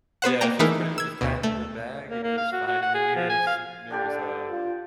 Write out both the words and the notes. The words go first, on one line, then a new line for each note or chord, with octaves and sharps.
yeah, it's just pretty much just packing a bag and just finding the nearest nearest, uh,
B3 B4 C5 F#5
A#3 G5 A#5
E3 A3 D#4 G#4 A#4
E6 G#6
D2 B2
A3
A#3
A#3
F5
F#4
F#4
F#5
G#4
F3
G#5
F5
D3 D4 G4 D5
F4